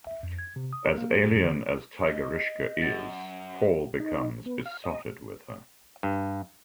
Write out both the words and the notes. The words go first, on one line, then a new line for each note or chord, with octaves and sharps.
As alien as Tigerishka is, Paul becomes besotted with her.
E5
F2
G#6
C3
D#6
A#4
A#3
G4
F#2
D3
D#5
F#2 A6
D#4
B3
F5
D#5
G2